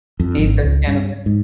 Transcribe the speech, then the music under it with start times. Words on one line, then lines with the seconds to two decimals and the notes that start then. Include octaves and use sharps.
Eat the skin with
0.20 F2
0.38 G#1
0.63 C#2
0.87 G2
1.26 G#2